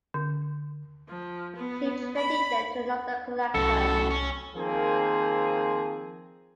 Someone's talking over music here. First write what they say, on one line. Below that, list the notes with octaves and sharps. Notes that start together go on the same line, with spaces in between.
She traded them to another collector.
D3
F3
B3
B5
C2 F#2 A2 A4 C#7
C#4
D#3 F3 A#3 C4 G#4